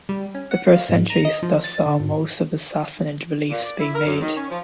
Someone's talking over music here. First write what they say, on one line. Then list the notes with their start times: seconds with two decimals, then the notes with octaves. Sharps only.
The first centuries thus saw most of the Sassanid reliefs being made.
0.09 G3
0.35 C#4
0.51 F#5
0.69 F5
0.89 G#2
1.10 A#5
1.25 D#5
1.42 F3
1.64 A6
1.86 D3
2.00 G#1
3.50 A#2
3.64 D5
3.79 E4
3.95 A#4
4.06 F#2
4.21 D#3
4.36 C#4
4.49 F3